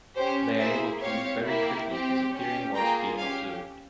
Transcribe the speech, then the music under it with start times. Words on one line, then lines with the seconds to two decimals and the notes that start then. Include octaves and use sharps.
They are able to move very quickly, disappearing whilst being observed.
0.16 C#4 G4 C5
0.59 A#3 E4 G#4 C5 E5
1.02 C4 G4 C#5 F5
1.45 A#3 E4 G4
1.88 C4 G4
2.31 C#4 G4
2.74 A#3 F4 G#4 G5 A#5
3.17 C#4 G4 F5 G#5